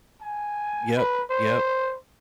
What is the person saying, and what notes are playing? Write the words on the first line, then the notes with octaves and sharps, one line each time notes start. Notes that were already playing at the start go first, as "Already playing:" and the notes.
Yep, yep.
G#5
B4
C5